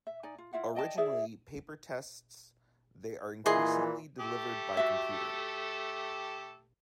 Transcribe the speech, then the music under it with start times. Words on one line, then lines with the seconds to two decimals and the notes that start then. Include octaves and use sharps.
Originally paper tests, they are increasingly delivered by computer.
0.07 E5
0.23 D#4 D5 G#5
0.38 F4
0.53 E4 F4 E5 F#5
0.75 D5 D#5 G5 A5
0.98 E4 G#4 D5 E5
3.46 A#2 E3 G#4 D#5 C6
4.20 A3 G4 A4
4.77 F#4 E5